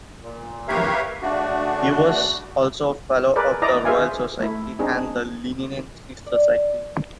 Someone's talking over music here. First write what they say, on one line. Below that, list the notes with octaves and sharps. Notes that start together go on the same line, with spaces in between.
He was also a Fellow of the Royal Society and the Linnean Society.
A#2
G4 A#4 B4 C#5 E5 F5
C#3 A3 D4 F#4
G#4 A#4 B4 D5
E4 D5 D#5 A#5
G#4 C5 E5 F5 G#5
A3 E4
C4 D4 D#4 G#4
D5